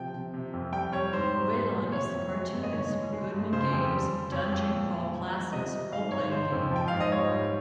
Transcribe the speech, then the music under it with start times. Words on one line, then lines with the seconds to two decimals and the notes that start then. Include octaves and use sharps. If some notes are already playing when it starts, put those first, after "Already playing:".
Whelon is the cartoonist for Goodman Game's 'Dungeon Crawl Classics' Role Playing Game.
Already playing: C3 F3 G5
0.14 C3
0.34 C3
0.53 F2
0.72 G3 G5
0.92 G3 C#5
1.12 G#2 C5
1.33 G3
1.52 G3
1.73 A#2
1.92 C3 C#5
2.13 F2
2.33 G#3
2.53 G2
2.63 D#5
2.72 G#3 C#5
2.92 G#3
3.13 G#3
3.32 G2
3.53 C#3 C5
3.72 F2
3.93 G3
4.13 G3
4.32 F2 C#5
4.52 F2
4.73 A#2
4.92 F3
5.12 F3
5.33 G#3
5.52 C3 D#5
5.71 G3
5.92 G#2 F5
6.11 G#2 C#5
6.31 G#3 C5
6.52 F2
6.71 F3 G5
6.88 G#2 F5
7.00 D#5
7.12 G3 C#5
7.32 G3